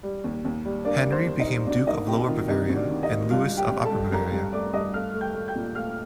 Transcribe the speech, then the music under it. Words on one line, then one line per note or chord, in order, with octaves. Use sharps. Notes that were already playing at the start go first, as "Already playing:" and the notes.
Henry became Duke of Lower Bavaria, and Louis of Upper Bavaria.
G3
D#2
D#2
G3
A#3 D4 D5
G3
C5
D#2
D#4 D#5
G3
D2 D4 D5
A#3 D#4 D#5
C3 G4 G5
D#3 F4 F5
C3 D#4 D#5
D2
D4 D5
D#3
D#4 D#5
A#3
G2 F4 F5
G2
G4 G5
G2
A4 A5
G2
G2 A#4 A#5
G2
A3 D5 D6
G2 D#5 D#6
A3 F5 F6
A3
G5 G6
A3
G5 G6
A#2
A3 F5 F6